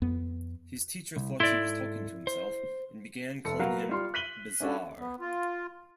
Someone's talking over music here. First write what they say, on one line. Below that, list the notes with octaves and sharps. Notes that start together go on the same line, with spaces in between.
His teacher thought he was talking to himself, and began calling him 'Bizarre'.
F2 B3
C2
G#2 E4 A4 D5 C6
C5
F1 A4 C#7
F#3 B3 A#4 F5
G3 F4 C6
F#6 B6 D#7 F#7 G7
C#4 D4 F#4 A4
B3
F4